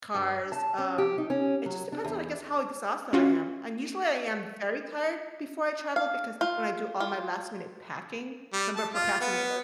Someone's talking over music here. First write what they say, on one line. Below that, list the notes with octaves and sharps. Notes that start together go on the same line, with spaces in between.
cars. Um, it just depends on, I guess, how exhausted I am. And usually I am very tired before I travel because that's when I do all my last minute packing. 'Member procrastinator.
G2
A5
C#4
G4
D#4
C#4
F#3
D4
E2
C#4 F4 F#4
F5
F4
F4
G3
A5
F4
B3